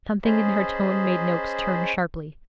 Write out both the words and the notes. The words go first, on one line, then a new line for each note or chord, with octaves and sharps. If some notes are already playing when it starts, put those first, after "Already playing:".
Something in her tone made Noakes turn sharply.
C#4 G#4 C5 D#5 A5 B5